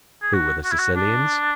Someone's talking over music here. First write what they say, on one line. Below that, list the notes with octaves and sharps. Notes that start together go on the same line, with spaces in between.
Who were the Sicilians?
G#4
F#4
F#4
E4
F#4
D4